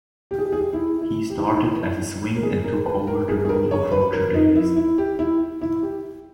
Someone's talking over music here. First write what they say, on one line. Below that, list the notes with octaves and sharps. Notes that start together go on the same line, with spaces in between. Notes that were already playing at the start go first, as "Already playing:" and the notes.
He started as a swing and took over the role of Roger Davis.
G4
G#4
G4
G#4
G4
E4
E4
G4
E4
D#4
E4
A#4
G#4
A#4
B4
A#4
G#4
G#4
A#4
C#5
B4
A#4
D#4
E4
E4
G4
E4
E4
G4